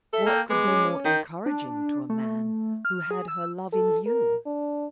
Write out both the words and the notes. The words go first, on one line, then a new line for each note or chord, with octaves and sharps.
What could be more encouraging to a man who had her love in view?
A4 E5
A#3 G5
G#3 B3 D6
C#4
D#3 G6
D4
A3
F6
G#4
E6
A4
A#4
D4